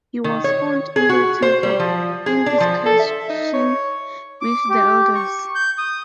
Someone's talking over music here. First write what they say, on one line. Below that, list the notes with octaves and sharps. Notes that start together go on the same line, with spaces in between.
He was found in The Temple in discussion with the elders.
D#3
C#5
G#4
F#4
C5
G3
F3
G#4
D4
F3
A4
E5
D#4
C#5
D6
G4
C#6
G6
D#6